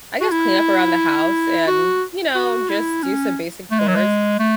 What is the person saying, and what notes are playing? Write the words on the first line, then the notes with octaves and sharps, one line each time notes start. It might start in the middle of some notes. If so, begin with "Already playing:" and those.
I guess, clean up around the house and, you know, just do some basic chores,
F#4
E4
F#4
F#4
E4
C#4
A3
G#3
F#3
G#3
A3